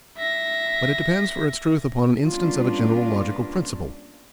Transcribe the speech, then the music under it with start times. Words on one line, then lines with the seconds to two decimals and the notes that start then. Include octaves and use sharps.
But it depends for its truth upon an instance of a general logical principle.
0.17 E5 A#6
2.25 G3 A#3 B3 C#4 D4 F4